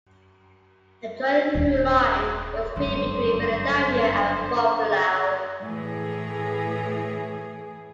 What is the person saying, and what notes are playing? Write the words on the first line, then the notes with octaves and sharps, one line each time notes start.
A joint through line was created between Philadelphia and Buffalo.
D#1
G1 F#2 D3 G#3 A4 C5
A2 E3 G#4